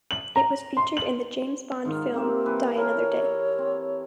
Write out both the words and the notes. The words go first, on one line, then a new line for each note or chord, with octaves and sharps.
It was featured in the James Bond film "Die Another Day".
F#7
A#5
C6
F#7
G#2 D#3 F4
A#3 C4 G4 E5
E3 B4
E4 A4 A#4 C#5
C4